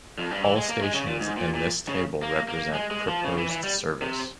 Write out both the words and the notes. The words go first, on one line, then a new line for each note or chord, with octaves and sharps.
All stations in this table represent proposed service.
F2
G2
E3
G#3
A#3
G#3
C#3
A#2
G#2
A#2
A#2
C#3
A#3
A#3
G#3
G#3
F3
C#3
E3
E3
G3
C3